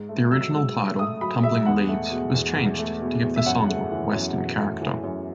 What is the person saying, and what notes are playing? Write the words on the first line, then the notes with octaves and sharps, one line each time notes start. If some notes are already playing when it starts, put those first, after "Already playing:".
The original title "Tumbling Leaves" was changed to give the song a western character.
Already playing: G#2
A3
F#3 E6
G#2
G#2
A3 D#6
F#3 B5
G#2 E5
E2 F#5
A3
B2
E2
E2
A3
B2
E2
E5
F#2 F#5
A3
E3
F#2
F#2
A3
E3
F#2